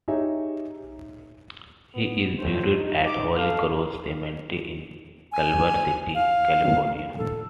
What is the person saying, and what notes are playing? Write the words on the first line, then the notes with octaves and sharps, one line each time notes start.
He is buried at Holy Cross Cemetery in Culver City, California.
D#4 G4 G#4 C#5 E5
B3
A2 C5
D#4
D6
A4 F5
G#5
F5
A4